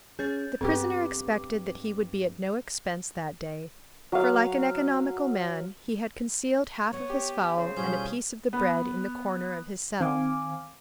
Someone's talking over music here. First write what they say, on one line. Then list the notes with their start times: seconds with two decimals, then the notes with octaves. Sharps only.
The prisoner expected that he would be at no expense that day, for like an economical man he had concealed half of his fowl and a piece of the bread in the corner of his cell.
0.19 C#4 G#4 G6 A6
0.61 G2 B3 C4 G4 D6
4.12 F#3 F5
6.93 B3 C#5 F#5
7.10 G4
7.57 C#3 C5
7.76 B2 F3 G3 C#4 G#4 G6
8.53 B3
10.00 D#3 C4 F5 G#5 D6